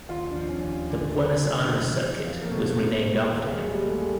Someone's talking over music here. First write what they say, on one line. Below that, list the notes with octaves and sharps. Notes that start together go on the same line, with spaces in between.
The Buenos Aires circuit was renamed after him.
D#2 F4
D4
F3
C#4
D#2
D3
A3
D3
F2
E3
F2
A#3
B2 A3
C4
B2
D#2 A#3
G#3
F#3
G3
D#2 A3
G#3